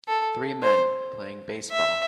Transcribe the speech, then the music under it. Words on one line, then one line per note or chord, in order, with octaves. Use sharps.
Three men playing baseball.
A4
C5
E5